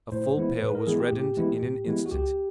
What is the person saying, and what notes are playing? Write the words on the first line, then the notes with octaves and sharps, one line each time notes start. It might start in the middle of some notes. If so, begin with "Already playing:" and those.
A full pail was reddened in an instant.
A2 C5
E3 G#3 B3 E4
A2 B4
A#4
E3 G#3 B3 E4 G#4
G4
A2 G4
E3 G#3 B3 E4
A2
E3 G#3 B3 E4
F#4
C#2 G4